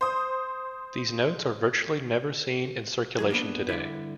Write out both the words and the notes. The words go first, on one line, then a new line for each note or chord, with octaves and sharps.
These notes are virtually never seen in circulation today.
C5 D#6
D2 F#3 G#4
A#3 B3 D4 B4
G2 D3 E4